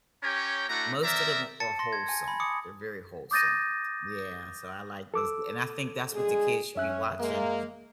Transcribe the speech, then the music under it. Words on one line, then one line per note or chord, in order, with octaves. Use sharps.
most of them are wholesome, they're very wholesome, yeah, so I like those, and I think that's what the kids should be watching
C#4 G4 C#5 G5 A#5
A3 D4 E4 F#4 A#5
C4 A#4 D5 E5 A#5
A5 A6 C#7
C6 A#6
G#6
G#5
B5
D6 D#6 C#7
D6 D#6 G6 A6 A#6 D#7
A4 D6 E6
D3 G#3 G#4
F#2 C#4 E5 F#6
G#3 A#3